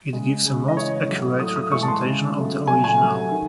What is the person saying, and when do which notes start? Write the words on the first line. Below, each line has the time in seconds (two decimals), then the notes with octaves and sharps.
It gives a most accurate representation of the original.
0.13 C#3 G#3
0.45 C#3 G#3
0.68 D#5
0.77 C#3 E3 G#3 C#5
1.09 A2 F#3 A3
1.40 A2 F#3 A3 D#6
1.56 D#6
1.72 A2 E3 G#3 C#6
1.83 A5
1.88 C6
2.04 C#3 G#3
2.36 C#3 F#3 A3
2.67 C#3 F#3 A3 G#5
2.84 G#5
2.99 C3 F#3 A3
3.31 D#3